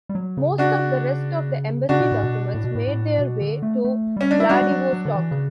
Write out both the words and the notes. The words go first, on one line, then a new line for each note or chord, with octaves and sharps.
Most of the rest of the embassy documents made their way to Vladivostok.
G3
F#3
C#3
D4 F#4
C#3 D4 F#4
B2
A2
B2
A2
B2
A2
A2
B2
D3
A3
A3
G3 C#4
D4
E4
G3 D4 F#4
G3
F#3
F#3
D3
E3
C#3